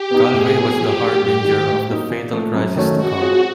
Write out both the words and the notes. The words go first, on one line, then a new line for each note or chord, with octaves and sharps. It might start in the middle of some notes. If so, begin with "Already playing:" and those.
Galway was the harbinger of the fatal crisis to come.
Already playing: G4
B3 D#4
A2 G#4
F#3 B3
F3 G4
A3 D4 F#4
G2 G4
D#3 F#3
A2
F#3 A#3 D#4
A#2
F3 A3
F#2
D#3 F#3 A3 C#4
G#3 F#4
C4 F4 G#4 C#5